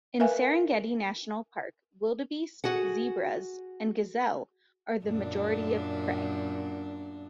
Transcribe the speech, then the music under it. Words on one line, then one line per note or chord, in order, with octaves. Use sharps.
In Serengeti National Park, wildebeest, zebras and gazelle are the majority of prey.
A#4 B4 E5 F5 G#5
F#4 G#4 F#5
F#2 A#2 D4